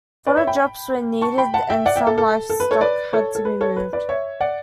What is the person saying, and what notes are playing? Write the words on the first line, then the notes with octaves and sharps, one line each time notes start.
Fodder drops were needed and some livestock had to be moved.
B4 D5
C#5 E5
G5 B5
A5 C#6
G5 B5
F#5 A5
E5 G5
D5 F#5
E5 G5
A4
A4
A4
B4
A4 C#5
B4 D5
A4 C#5
A4
B4
A4 C#5
B4
B4 D5
C#5 E5
D5 F#5